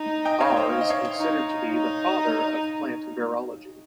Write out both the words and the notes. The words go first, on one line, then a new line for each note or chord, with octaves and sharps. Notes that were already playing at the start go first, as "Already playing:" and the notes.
Baur is considered to be the father of plant virology.
Already playing: D#4
D#5 G5
C#5 F5
C5 D#5
F5
D#5
C#5 F5
D#4
D#4